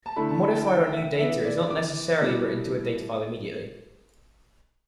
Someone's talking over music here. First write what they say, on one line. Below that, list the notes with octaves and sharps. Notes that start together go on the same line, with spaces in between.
Modified or new data is not necessarily written to a datafile immediately.
A5
D3 A3 E4 B5
A5
B5
G5
A5
G5
E5
E3 B3 E4 E5
D5
D6
B2 G3 E4